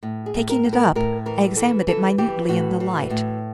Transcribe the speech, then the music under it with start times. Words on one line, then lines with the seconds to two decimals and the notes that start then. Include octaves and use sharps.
Taking it up, I examined it minutely in the light.
0.03 A2
0.26 G#4
0.34 A2
0.49 A#4
0.65 A2
0.73 A#4
0.95 A2 A#4
1.26 E3 A#4
1.56 E3 A4
1.88 E3 A4
2.18 E3 G4
2.49 A2 F#4
2.80 E3
3.10 A2